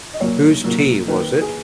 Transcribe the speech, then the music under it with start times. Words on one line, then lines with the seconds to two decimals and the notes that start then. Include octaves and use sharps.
Whose tea was it?
0.14 D#5
0.20 A#2 F#3 A#3 C#5
0.64 A#2 F#3 A#3
1.08 D#3 A#3 D#4 B4
1.41 G#4